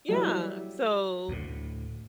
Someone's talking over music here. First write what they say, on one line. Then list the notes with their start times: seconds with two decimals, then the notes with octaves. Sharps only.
Yeah. So
0.08 F#3 G3 E4
1.28 D2 A2